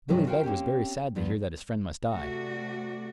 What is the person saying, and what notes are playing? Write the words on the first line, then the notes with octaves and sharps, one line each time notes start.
Billy Beg was very sad to hear that his friend must die.
G2 C3 D#3 F3 F#3 G#3
F4 F#4 A#4 C5 G5
A#3 C4 C#4 G4
G2 F3 B3
C3 A3 F#4 D5